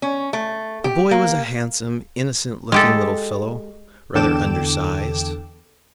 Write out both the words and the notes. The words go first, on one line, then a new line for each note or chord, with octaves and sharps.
The boy was a handsome, innocent-looking little fellow, rather undersized.
C#4
A3
G4
A#3
G#3 G4 A4
E2 D3 A4 G5 D6 E7